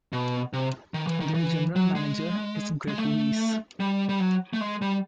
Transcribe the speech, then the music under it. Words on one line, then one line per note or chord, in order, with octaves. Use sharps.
Their general manager is Greg Weis.
B2
C3
D#3
E3
D#3
E3
F#3
G#3
G#3
A3
G3
G3
F#3
A3
G#3
G3